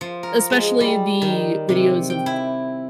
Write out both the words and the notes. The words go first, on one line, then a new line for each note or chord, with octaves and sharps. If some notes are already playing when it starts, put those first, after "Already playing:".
especially the videos of
F3
A#4
G#3
G3
D#3
C3
G5
E4